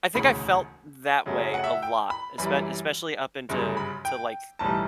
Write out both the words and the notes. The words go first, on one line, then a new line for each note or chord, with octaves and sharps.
I think I felt that way a lot, espe especially up into to, like,
E1 D2 C#3 B5
F#2 C#3 F#3 A3
F#5
E5
G5
B5
F#2 E3 G3 B5
G1 F#2 C#3 G3
B5
G5
B1 A2 E3 G3 A5